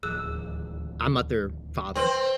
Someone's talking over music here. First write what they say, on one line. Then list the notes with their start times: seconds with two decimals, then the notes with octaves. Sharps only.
I'm not their father,
0.03 D1 D#2 F3 G#4 E6 F#6
1.96 C4 B4 C6